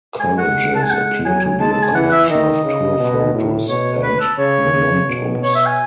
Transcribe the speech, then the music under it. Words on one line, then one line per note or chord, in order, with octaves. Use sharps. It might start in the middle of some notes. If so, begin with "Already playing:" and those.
Collages appear to be a collection of tour photos and mementos.
G#3 G#5
F#5
A5
G#5
F#5
F#3 G#5
G#5
G#3 A5
A5
G#5
E3 F#5
E5
D#3 D#5
C#3
B2
A2
B2 C#5
B4
A4
C#3 C#5
C#3
B2
C#5
E5
G#5